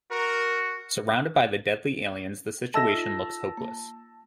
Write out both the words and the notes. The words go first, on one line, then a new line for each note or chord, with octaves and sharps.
Surrounded by the deadly aliens, the situation looks hopeless.
F#4 A#4
A4 D#5 E5 A5 E6 A#6
D#4 F4
A#3